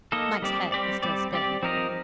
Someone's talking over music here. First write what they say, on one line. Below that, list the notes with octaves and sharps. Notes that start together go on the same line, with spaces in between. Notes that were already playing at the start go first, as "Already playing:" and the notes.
Mike's head was still spinning.
A#3 D#4 A4 D#5
G3 C4 G4 D5
G3 C4 G4 D5
G3 C4 G4 D5
G3 C4 G4 D5
F3 C4 D#4 A#4 D#5